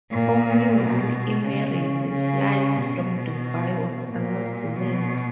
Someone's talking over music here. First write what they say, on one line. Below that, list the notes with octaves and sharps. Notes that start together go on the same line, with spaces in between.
Only one Emirates flight from Dubai was allowed to land.
A#2
B2
C#3
C#3
B2
A#2
B2